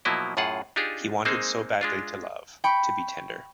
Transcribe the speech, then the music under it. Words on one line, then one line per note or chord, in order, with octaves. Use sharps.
He wanted so badly to love, to be tender.
B2 F3 F#3 A#3 E4 D#5
F#2 A2 F4 G#4 F#5
D4 D#4 F4 G4 G#4
G#3 A#3 C4 D#4 G#4 C5
G#3 D4 F4
G5 B5 C#6